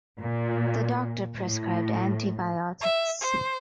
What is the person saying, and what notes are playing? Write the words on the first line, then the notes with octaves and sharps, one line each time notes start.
The doctor prescribed antibiotics.
A#2
A2
E5
C5